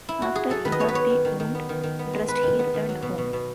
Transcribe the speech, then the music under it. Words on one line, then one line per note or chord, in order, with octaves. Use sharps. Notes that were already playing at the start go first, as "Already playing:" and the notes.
After he had the wound dressed he returned home.
E4
F#4
G#4
F#3 A4
D#3 B4
D#5
B3 C#5
B4
B3 C#5
D#3
D#3
D#3
B3
D#3
D#3
B3
G#3
G#3 B4
D#3
B3
D#3
F#3
B2
B2
B2